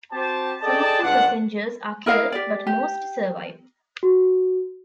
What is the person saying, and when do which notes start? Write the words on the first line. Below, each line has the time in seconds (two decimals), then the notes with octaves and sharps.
Some of the passengers are killed, but most survive.
0.12 C4 F#4 G4 C5 A5
0.62 G#4 A4 D5 D#5 G5 A5
1.02 C#2 G2 D4 F4 F#5
2.06 E4 A#4 D#5 F5
2.32 G4 D5
2.67 G4
4.03 F#4